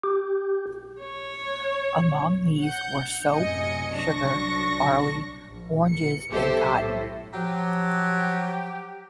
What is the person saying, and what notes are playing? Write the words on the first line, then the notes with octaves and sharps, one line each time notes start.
Among these were soap, sugar, barley, oranges, and cotton.
G4
C#5
F#5 G6
F#2 A2 C3 D#5 G#5 C#7
C2 F#3 D4 C#6 A#6
A#1
C#7
B1 E3 G4 A4 C5 E5
A2
F3 F#3 G4